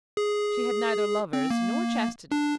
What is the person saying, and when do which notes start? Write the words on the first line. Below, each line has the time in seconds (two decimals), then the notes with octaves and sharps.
She had neither lovers nor chastity.
0.17 G#4
1.33 C4
1.51 A#3
2.32 D4